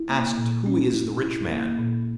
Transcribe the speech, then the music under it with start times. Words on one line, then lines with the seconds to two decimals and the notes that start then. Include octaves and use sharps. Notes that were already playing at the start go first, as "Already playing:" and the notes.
Asked, Who is the rich man?
Already playing: E4
0.09 A#3
0.38 A#2
0.66 C#4
0.94 E4
1.23 E4
1.51 A#3
1.79 A#2